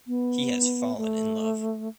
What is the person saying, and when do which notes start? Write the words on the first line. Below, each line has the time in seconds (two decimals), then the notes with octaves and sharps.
He has fallen in love.
0.07 B3
0.96 A3